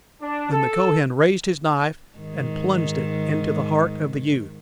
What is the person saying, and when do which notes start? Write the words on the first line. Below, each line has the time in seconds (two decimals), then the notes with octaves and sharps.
Then the Kohen raised his knife and plunged it into the heart of the youth.
0.22 D4
0.51 A4
2.18 G#2 D#3